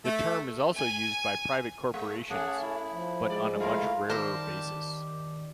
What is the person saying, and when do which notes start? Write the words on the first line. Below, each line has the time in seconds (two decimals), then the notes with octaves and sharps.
The term is also used by private corporations but on a much rarer basis.
0.05 A3
0.74 G#5
1.94 G#3
2.30 A3 C#4 G#4 C#5 F#5 A5
2.62 E4
2.93 F3
3.30 G#3 D5
3.60 A3 E4 F4 A#4 F5
4.10 D#3 G3 G4 A#4 C5 A5